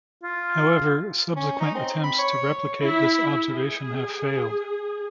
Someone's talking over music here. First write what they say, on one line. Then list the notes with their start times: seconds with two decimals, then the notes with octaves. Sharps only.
However, subsequent attempts to replicate this observation have failed.
0.23 F4
1.36 C#4
1.60 D#4
1.75 C4
2.03 B5
2.18 C#5
2.82 E4
3.43 G#4